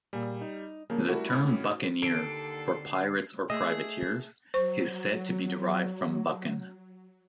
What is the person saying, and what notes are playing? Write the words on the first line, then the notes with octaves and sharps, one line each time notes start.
The term "buccaneer" for pirates or privateers, is said to be derived from buccan.
A#2 G3 G#4
D#4
C#3 F3 G3 A#3
G3 A3 E4 F#4 A#4
A2 C#4 D#4 F#4 B5
D#2 D3 A4 C7 D7
A3 G#4 D#5 E5
F#3 C5 C#6